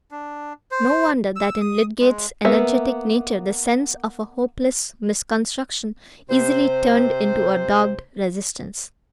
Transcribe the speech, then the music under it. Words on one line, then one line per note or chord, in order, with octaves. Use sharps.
No wonder that in Lydgate's energetic nature the sense of a hopeless misconstruction easily turned into a dogged resistance.
D4
C5
E6
D#6
G#3
A#3 B3 E5 F#5
C3 C5